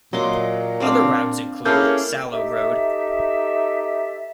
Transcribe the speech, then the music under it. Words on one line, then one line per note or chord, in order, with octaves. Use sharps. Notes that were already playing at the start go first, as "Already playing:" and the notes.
Other routes include Salo Road.
A#2 F#3 D#5 C6 D6
C4 D4 F5
A#3 C#4 E4 G#4 A4 G6
D#4 G4 A4 E5